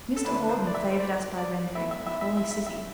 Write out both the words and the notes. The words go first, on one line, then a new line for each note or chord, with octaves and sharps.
Mr Hawden favoured us by rendering "The Holy City".
A4
D3 A3 E4 B4
B4
C5
D5
E5
C5
D5
D5
B2 A3 E4 E5
E5
E5
E5
E5
E5
E5